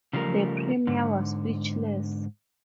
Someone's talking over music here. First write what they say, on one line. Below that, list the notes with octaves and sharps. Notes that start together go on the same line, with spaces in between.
The Premier was speechless.
C#3 F3 G3 A3 A#4
G#2 D3